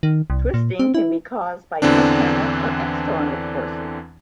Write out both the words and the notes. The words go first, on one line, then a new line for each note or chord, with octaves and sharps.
Twisting can be caused by internal or external forces.
D#3
C2
A#2
C4
E4
E2 D3 E3 C4 D4